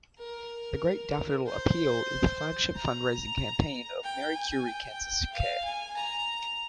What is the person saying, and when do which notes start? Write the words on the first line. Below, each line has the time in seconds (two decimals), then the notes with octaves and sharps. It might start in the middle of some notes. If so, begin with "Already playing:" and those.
The Great Daffodil Appeal is the flagship fundraising campaign of Marie Curie Cancer Care.
0.18 A#4
1.46 C5
2.75 A#5
4.03 G5
4.35 G#5
4.67 G5
5.32 F5
5.64 G#5
5.97 A#5